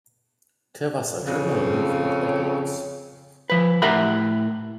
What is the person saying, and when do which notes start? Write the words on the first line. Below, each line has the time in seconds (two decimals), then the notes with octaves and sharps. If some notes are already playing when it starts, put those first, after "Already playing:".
There was a general movement backwards.
1.22 F2 C#3
3.50 F3 B4
3.82 A2 G4 A#4 E5 F#5 B5